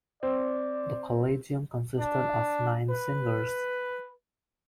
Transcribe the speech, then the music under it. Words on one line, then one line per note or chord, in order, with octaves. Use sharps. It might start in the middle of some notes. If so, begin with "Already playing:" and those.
The Collegium consisted of nine singers.
C4 D5
D4
B4